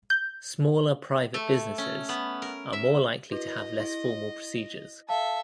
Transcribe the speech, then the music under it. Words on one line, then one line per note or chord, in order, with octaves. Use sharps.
Smaller private businesses are more likely to have less formal procedures.
G6
A3
C#4
B3
A#4
E5
E4 F#4 B4 D#5
E4 A#6
A4 E5 F5 A5